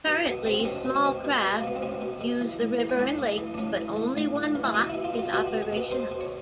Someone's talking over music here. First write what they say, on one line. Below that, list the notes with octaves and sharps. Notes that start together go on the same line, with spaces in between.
Currently small craft use the river and lakes, but only one lock is operational.
B2
B2 B3
B2 C4
C4
B2 C#4
B2
C4
B2
B2
B2
A#3
B2 B3
C4
B2 C#4
B2
B2
E3
A2
E3
C#4
A2 D4
A2
D#4
E3
D4
A2 C#4
E3
A2
A2
A2
E3
E4
B2 D#4
E4
B2
F4
B2
F4
B2 F#4
F#4
B2
G#4
B2 B4
B2 C5
B2
C#5